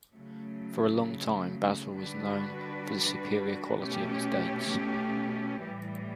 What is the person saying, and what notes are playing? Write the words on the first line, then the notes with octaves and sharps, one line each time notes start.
For a long time, Basra was known for the superior quality of its dates.
C#3 F#3 A3
D3 G3 D4 F#4 B4
B2 A3 C#4 G4
A2 E3 G3